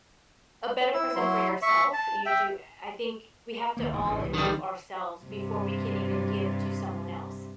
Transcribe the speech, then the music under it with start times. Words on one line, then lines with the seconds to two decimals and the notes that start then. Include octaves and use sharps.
a better person for yourself. You do I I think, we have to all improve ourselves, before we can even give to someone else.
0.94 E4 E6
1.16 F#3 E4 C6
1.62 E5 C#6
1.93 A5
2.26 E5 G5
3.77 D2 D#3 A#3
3.93 E1 D#2 G#2
4.05 A1 D2 G2
4.19 C2 E3
4.33 D#3 G3
5.25 G2 C3